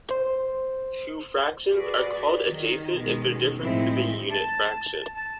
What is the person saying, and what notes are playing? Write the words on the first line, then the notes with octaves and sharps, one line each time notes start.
Two fractions are called adjacent if their difference is a unit fraction.
C5
F#4 G#4 B4 D5
D#3 D#4
B2 D#3 G#3 C#4
A2 D#3 F3 G#3 C4 E4
A5
A5